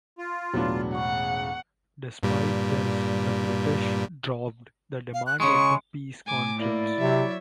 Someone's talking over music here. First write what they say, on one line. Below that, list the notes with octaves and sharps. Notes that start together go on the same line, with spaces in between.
Despite this, the British dropped the demand at the peace conference.
F4
E1 A2 F#3 B3 D4
C#3 F#5 C#6
G2 A#2 G3
F5
F#6
C#3 G#3 C#6
A2 G#5 D6
A#3 E4 D5
C3 F#3 C#5 E5